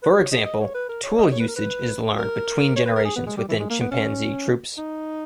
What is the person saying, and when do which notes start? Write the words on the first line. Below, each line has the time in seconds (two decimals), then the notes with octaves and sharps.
For example, tool usage is learned between generations within chimpanzee troupes.
0.03 B4
0.17 C#5
0.32 D#5
0.46 D#5
0.60 C#5
0.74 B4
0.89 A#4
1.03 C#5
1.18 D#5
1.32 C#5
1.40 B4
1.48 A#4
1.56 B4
2.18 A#4
2.76 C#5
2.86 B4
2.96 A#4
3.05 G#4
3.16 B3
3.27 G#3
3.37 G3
3.48 E3
3.59 G#3
3.70 A#3
3.80 B3
3.91 C#4
4.78 D#4